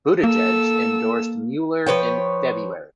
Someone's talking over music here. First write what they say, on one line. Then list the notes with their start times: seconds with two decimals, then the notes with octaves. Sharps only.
Buttigieg endorsed Mueller in February.
0.24 A#3 A4 E6
1.86 F3 B4 C#5 G5